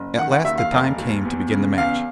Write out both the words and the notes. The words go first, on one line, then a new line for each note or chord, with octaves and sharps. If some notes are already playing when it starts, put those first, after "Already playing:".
At last the time came to begin the match.
Already playing: F#1
D#3 F#5
F#5
D#2 E5
F5
F1
D#2
E2
C#3
E2 F5